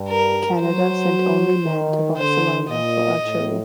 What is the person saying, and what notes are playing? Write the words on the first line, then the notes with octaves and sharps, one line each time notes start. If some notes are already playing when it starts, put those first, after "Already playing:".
Canada sent only men to Barcelona for archery.
Already playing: G2
A#4
F#3 C5
D#3
D3 C5
A#2 D#5
A2